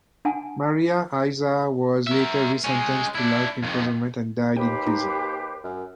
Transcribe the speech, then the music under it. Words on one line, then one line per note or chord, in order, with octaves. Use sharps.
Maria Isa was later resentenced to life imprisonment and died in prison.
D4 F#5 G#5 A5
A#4 E5
G#3 C#4
D4 E4
F2 D#3
D#2 G4 B4 C5 G5
D#4
F#2